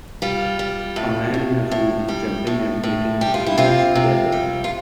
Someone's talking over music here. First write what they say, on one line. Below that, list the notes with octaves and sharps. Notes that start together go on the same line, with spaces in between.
A man in a suit is jumping and clicking his heels together.
G3 F4
G3
A2
A2
A2
G3
A2
A2
G3 G4
F4
E4
C3 F4
C3
G3
F4